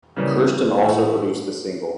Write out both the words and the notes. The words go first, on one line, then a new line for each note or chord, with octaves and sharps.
Kurstin also produced the single.
C#3 E3 G3 A#3
A2 E3 A3